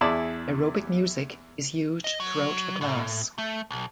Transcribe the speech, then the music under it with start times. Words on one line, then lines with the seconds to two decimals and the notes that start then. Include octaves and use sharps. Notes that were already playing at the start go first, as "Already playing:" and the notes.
Aerobic music is used throughout the class.
0.01 E2 E4 G#4 D5 A5
2.04 D#5
2.20 F#3
2.81 A2
3.38 A3
3.71 B1